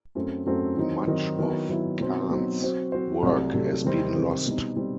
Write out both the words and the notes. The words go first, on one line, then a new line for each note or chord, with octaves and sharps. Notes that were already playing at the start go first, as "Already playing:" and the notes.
Much of Kahn's work has been lost.
F#2 F#3 A3 C4
F#2 F#3 A3 C4
D#3 F#3 C4 D#4
D#3 F#3 C4 D#4
D#3 F#3 B3 E4
D#3 F#3 B3 E4
B2 F#3 C4 D#4
B2 F#3 C4 D#4
F#3 C4 F#4 C5
F#3 C4 F#4 C5
C2 C3 F#3 A3
C2 C3 F#3 A3
C3 D#3 G3 C4
C3 D#3 G3 C4
B2 G3 C4 D#4
B2 G3 C4 D#4